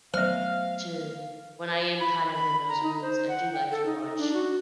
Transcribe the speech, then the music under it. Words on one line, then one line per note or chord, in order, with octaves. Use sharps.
to when I am, kind of, in those moods, I do like to watch
F#3 A3 B3 C5 E5 F5 F6
B5
B5
A#5
D#4
C5
F#5
G5
A4
D#4
D4
F#4